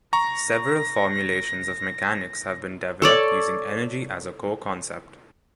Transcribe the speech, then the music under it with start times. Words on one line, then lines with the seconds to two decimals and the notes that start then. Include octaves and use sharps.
Several formulations of mechanics have been developed using energy as a core concept.
0.13 A#5 C#6 A#6
3.02 A4 C#5 D5